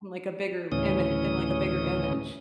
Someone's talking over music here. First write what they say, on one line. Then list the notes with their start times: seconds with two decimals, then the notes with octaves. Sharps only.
like, a bigger ima in, like, a bigger image.
0.72 D2 A2 C#3 E3 C#4 D#6